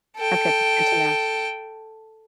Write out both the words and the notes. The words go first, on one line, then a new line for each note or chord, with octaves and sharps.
Okay, good to know.
A4 G5